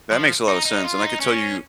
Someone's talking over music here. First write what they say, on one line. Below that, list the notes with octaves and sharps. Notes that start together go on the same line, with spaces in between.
That makes a lotta sense, and I could tell you-
F3
D#4
D#4
F4
D#4
C#4